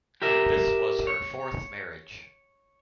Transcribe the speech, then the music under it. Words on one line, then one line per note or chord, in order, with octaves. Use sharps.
This was her fourth marriage.
G4 A#4 E5
C#5